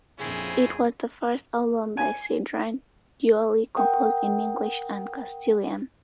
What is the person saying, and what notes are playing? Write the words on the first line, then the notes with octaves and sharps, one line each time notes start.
It was the first album by Sidran dually composed in English and Castilian.
A#1 F2 C4 C#4 E4 G#4
G#5
A#4 F#5 G5 D#6